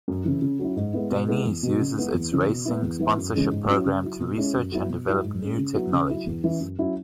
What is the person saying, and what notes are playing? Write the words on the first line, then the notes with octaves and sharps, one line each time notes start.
Dainese uses its racing sponsorship program to research and develop new technologies.
F#2
C#3 E3
C#3
F#3 C#4 E4
G#2
G#3 B3 E4
B2
G#3 B3 E4
E2
B2 F#3
C#3
G#3 B3 E4
E2
C#3 E3 C#4 E4
B2
G#3 B3 E4
E2
E3 B3 E4
F#2
C#3 E3 G#3 C#4
G#2
F#3 C#4 E4
C#3
F#3 E4
B2
G#3 C#4 E4
F#2
F#3 B3 E4
B2
F#3 E4
G#2
G#3 C#4
C#3
F#3 B3 E4
C#3
F#3 E4
E2
E3 C#4 E4
F#2
F#3 C#4 E4